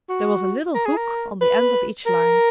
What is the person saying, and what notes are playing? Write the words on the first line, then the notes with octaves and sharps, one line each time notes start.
There was a little hook on the end of each line.
F#4
A#4
G#4
A#4
B4
A#4